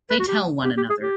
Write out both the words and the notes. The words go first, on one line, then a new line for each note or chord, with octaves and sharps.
They tell one another.
B4
F#4
G4
G4
G4
G#4
G4